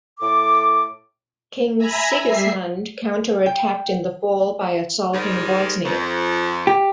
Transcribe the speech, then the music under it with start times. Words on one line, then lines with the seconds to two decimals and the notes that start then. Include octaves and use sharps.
King Sigismund counterattacked in the fall by assaulting Bosnia.
0.20 A2 A4 D6
1.78 E5 G#5 A#5 B5
2.25 G3 E5 C7
3.46 G5
5.13 G#2 D#3 G3
5.84 F2
6.67 G4